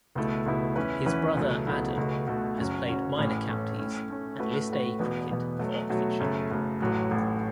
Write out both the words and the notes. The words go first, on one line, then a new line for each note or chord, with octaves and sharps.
His brother, Adam, has played Minor counties and List A cricket for Oxfordshire.
C#2 B2 A3 E4
C#2 B2 A3 E4
E2 E3 C#4 E4 B4
E2 E3 C#4 E4 B4
C#2 B2 F#3 A3 E4
C#2 B2 F#3 A3 E4
C#2 B2 A3 F#4
C#2 B2 A3 F#4
F#1 F#2 F#3 C#4 F#4
F#1 F#2 F#3 C#4 F#4
A1 A2 A3 C#4
A1 A2 A3 C#4
A2 A3 C#4
A2 A3 C#4
A2 A3 F#4 B4
A2 A3 F#4 B4
E1 E2 B2 B3
E1 E2 B2 B3
B2 F#3 A3
B2 F#3 A3
F#1 F#2 C#3 A3
F#1 F#2 C#3 A3
A1 A2 F#3 A3
A1 A2 F#3 A3